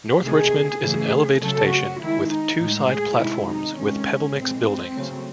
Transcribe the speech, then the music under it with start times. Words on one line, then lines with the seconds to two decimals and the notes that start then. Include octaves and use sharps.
North Richmond is an elevated station with two side platforms with pebblemix buildings.
0.22 C3 D#3 A3 G#4
0.81 C#3 E3 A3 G#4
1.41 C#3 F#3 A3 A4
1.71 F#4
2.01 D#3 G#3 E4
2.30 D#4
2.59 A2 G#3
2.88 G#4
3.18 C3 D#3 G#3 E4
3.49 D#4
3.78 C3 D#3 G#3 C#4
4.37 A2 E3 G#3 C4
4.66 C4
4.95 C#3 F#3 A3